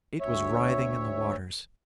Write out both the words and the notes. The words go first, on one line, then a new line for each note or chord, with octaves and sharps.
It was writhing in the waters.
D2 C#5 E5